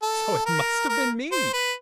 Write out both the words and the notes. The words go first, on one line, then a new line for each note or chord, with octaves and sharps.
So it must have been me!
A4
A#4
A#4
C5
B4